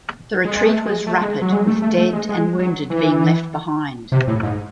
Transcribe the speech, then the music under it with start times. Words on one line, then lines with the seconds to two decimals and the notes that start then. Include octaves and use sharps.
The retreat was rapid with dead and wounded being left behind.
0.45 G#3
0.56 G#3
0.65 A3
0.86 G#3
1.07 A3
1.21 G#3
1.42 F#3
1.52 G#3
1.67 A3
1.82 A3
1.98 A3
2.13 G#3
2.29 G#3
2.59 F#3
2.90 E3
4.12 C3
4.28 A2
4.43 G#2